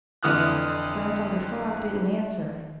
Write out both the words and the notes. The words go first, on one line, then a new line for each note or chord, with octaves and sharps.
Grandfather Frog didn't answer.
F2 D3 E3 D#6 F6 F#6